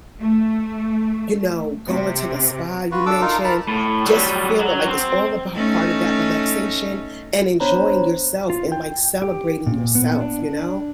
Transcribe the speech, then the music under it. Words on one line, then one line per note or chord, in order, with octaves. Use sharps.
you know, going to the spa, you mentioned, just feeling like it's all about part of that relaxation and enjoying yourself and, like, celebrating yourself, you know.
A3
C3
F4 F#4 B4
D4 A4 D6 E6
D#4 F4 A#4
A#4 A5 B5
A2
F#3 G3
F#3
C4
A3 C#4 D#4
B3 D4 C5 C#5 A#5 B5
F4
G5
G4
A#2
B3
D4